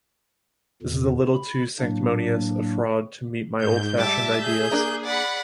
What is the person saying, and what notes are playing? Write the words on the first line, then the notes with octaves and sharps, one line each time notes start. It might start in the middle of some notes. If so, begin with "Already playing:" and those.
This is a little too sanctimonious a fraud to meet my old-fashioned ideas.
E2 A#2 D3
B5
A2 F#3 A#3 D4
G#2 G6
G3 E5 A5 D6
G#4 G6
A#3 D4 A#5
D5 F#5 B5